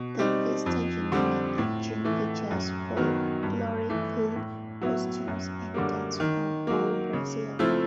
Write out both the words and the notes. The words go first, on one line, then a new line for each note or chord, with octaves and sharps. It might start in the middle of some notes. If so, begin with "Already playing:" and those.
The "Festa Junina" each June features folkloric food, costumes, and dance from old Brazil.
Already playing: B2
G3 C4 D#4
F2
D3 G3 C4
A2
E3 A3
F#2
D#3 F#3 B3
G2
E3 A3
A2
F#3 B3 E4
F#2
D3 G3 A#3
D#3
F#3 A#3
C#3
F3 A3 C4 E4